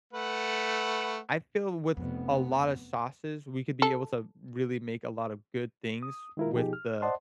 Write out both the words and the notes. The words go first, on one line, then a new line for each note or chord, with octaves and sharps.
I feel with a lot of sauces we could be able to really make a lot of good things with the
A3 B4 F#5
F1 F2 B3
A4
D#6
D#3 G#3 E4 F4 A#4
B2 F3 D#4 G4 G#4
F6
C5 D5 D#5 F#5 A5 C6